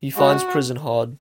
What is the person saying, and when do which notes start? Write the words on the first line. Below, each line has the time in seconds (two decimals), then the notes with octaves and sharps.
He finds prison hard.
0.16 G#3 F#4